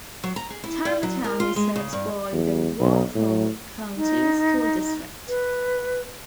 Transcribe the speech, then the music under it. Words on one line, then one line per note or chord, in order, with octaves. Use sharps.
Tylertown is served by the Walthall County School District.
F#3
A#5
G#4
E4
G3
F#3
A#4
F4
G#3
C#3
G2
E2
B1
A2
D#4
B4